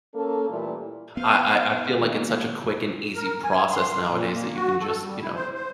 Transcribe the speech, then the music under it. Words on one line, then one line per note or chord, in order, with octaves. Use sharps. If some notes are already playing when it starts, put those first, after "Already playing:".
I I I feel like it's such a quick and easy process nowadays that you can just, you know,
A#3 C#4 A4
A#2 E3 G3 A3 E4
B3 C5 F5
D#3 G#3 A#3 F4
A#4
G#5
C6
A#2
A#3
F#4
A4
G3
E4
C5
C5